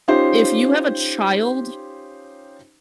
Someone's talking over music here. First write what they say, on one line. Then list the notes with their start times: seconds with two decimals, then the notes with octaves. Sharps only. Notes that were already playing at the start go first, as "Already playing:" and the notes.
If you have a child
0.08 C#4 D#4 F4 G4 C5